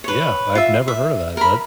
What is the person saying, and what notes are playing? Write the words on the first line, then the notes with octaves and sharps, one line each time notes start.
Yeah, I've never heard of that, but,
B4 C#5
F4 E5
E5
A#4 B5